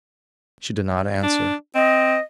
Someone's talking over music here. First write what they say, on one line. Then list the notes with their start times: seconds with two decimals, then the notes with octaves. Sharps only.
She did not answer.
1.23 D4
1.75 C4 D#5